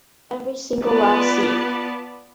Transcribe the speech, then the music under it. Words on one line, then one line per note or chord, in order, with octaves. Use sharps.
Every single last seat.
B3 F4 B4 D5 A5